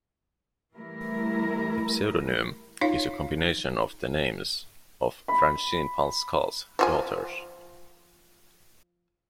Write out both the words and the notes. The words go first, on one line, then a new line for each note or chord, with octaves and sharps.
The pseudonym is a combination of the names of Francine Pascal's daughters.
E3 G3 A3 E4 A#4
D#4 F4 C#5 F5
B5
F3 F4 G#5